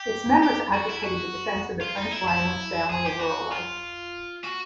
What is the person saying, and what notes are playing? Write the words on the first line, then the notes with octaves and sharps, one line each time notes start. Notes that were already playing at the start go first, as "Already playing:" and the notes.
Its members advocated the defense of the French language, family, and rural life.
Already playing: G4
G4
F#4
E4
F#4
F4
D#4
E4
E4
G#4
G4
F#4
F4
F#4